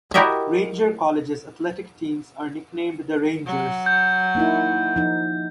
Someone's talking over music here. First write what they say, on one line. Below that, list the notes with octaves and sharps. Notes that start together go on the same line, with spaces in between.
Ranger College's athletic teams are nicknamed the Rangers.
E4 F#4 G4 A#4 D#5 E5
F#3
G6
A#3 D#4 E4
F3 D#4